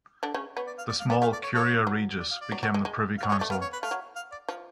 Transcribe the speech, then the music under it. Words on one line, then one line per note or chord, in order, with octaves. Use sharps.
The small "curia regis" became the Privy Council.
D3 D4
C#3 C#4
B3 C#5
D5
F5
D5
F5
B3 D5
A3 F5
D5
C#5
F4 A4 C#5
F#3
D5
F5
D5
F#3
F#3
G#3
G#3
F5
F#3
C#5
G#3
A3 D5
B3 F5
C#5
B4
A3 F5
F#3
F5
D5
F3 F5